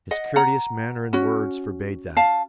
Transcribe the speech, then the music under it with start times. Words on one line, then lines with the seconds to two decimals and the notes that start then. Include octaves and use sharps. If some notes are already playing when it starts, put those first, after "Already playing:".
His courteous manner and words forbade that.
0.11 D#5 F#5
0.36 F#5 A#5
1.13 C#4 F#4
2.17 F5 A5